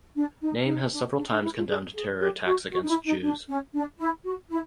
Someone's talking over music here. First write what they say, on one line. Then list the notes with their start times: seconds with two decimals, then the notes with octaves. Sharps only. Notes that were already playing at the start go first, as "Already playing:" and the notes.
Naim has several times condemned terror attacks against Jews.
0.15 D4
0.41 D#4
0.65 D#4
0.91 D4
1.17 D4
1.30 D#4
1.43 E4
1.55 F4
1.68 G#4
1.94 G#4
2.20 G4
2.44 F#4
2.70 F#4
2.83 D#4
2.88 E4
3.05 D#4
3.22 D4
3.48 C#4
3.74 D4
3.98 E4
4.24 F#4
4.50 E4